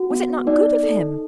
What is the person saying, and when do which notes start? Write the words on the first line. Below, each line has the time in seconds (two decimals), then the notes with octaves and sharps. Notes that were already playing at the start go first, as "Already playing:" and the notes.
Was it not good of him?'
Already playing: F#4
0.11 B3
0.47 D#4 D5
0.83 A4